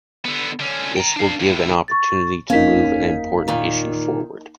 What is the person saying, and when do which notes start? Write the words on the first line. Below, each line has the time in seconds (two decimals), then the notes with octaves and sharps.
This will give an opportunity to move an important issue forward.
0.25 D3 B3
0.59 D3 C#4
0.97 G5 A#5
1.16 D4 F5
1.40 D#2 A2
1.88 C#6 A6
2.50 F#1 E2 A#3 C#4 D#4 F5 B6
3.48 A#2 D#3